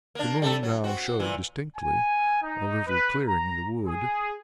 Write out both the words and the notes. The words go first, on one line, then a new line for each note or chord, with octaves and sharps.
The moon now showed distinctly a little clearing in the wood.
A#3 D4
G3 A3 A4
F#3
C4 F#4
A#2 E3
G#5
D#4
B4
A#5
G#4